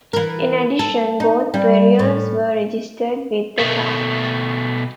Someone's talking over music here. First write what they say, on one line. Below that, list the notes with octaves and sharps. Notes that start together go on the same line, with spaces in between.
In addition, both burials were registered with the town.
E3 A#4
A4
D#4
G3
A2
B2 A3